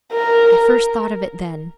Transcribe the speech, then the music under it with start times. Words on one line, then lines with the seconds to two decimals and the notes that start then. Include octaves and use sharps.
I first thought of it then.
0.12 A#4